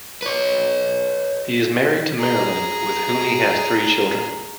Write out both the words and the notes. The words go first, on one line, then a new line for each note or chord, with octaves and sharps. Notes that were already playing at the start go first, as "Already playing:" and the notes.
He is married to Marilyn, with whom he has three children.
B4 C#5
G#4 A#5